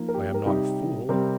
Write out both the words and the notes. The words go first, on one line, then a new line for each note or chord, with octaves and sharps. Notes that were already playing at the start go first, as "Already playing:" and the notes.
I am not a fool.
Already playing: F3 A#3 D#4
A#4
G4
A#4
C3 G3 D#4 G4
C3 G3 C4 A#4